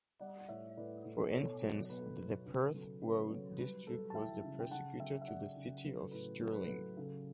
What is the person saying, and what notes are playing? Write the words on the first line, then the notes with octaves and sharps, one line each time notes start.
For instance, the Perth Road District was the precursor to the City of Stirling.
G3 D5 F#5
F#5
A2 C#5 E5
A2 B4 D5
A2
B2 A4 C#5
F#3
B2 B4
A4
B4
B2
C#3 B4
F#3 A4
C#3 B4
F#3 A4 C#5
G3 B4
G3 A4
A5
E3 E5 G5
C#3
G5
C#3 F#5 A5
F#3 E5 G5
E5
C#3 D5 F#5
C#3
F#3 B4
A4
A2 B4
F#3 A4
B4
F#3 A4
C#3 A4